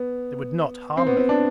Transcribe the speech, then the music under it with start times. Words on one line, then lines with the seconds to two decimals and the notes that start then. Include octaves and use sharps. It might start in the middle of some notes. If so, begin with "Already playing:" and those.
They would not harm me.
Already playing: B3
0.97 C4
1.07 B3
1.17 C4
1.29 D4